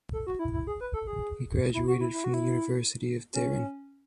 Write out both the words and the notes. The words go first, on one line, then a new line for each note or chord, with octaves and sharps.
He graduated from the University of Tehran.
A4
F#4
E4
E4
G#4
B4
A4
G#4
E4
F#4
E4
E4
F#4
E4
C#4